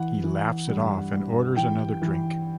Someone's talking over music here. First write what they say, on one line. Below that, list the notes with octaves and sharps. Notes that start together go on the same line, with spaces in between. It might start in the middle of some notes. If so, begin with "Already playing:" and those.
He laughs it off and orders another drink.
Already playing: E3 F#5
E3
G2
G2
E3 G5
E3